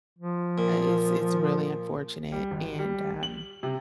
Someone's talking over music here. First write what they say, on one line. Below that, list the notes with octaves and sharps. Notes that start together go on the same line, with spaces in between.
uh, it's it's really unfortunate, and, um,
F3
A#2
G3
G#1
G3
F#7
C3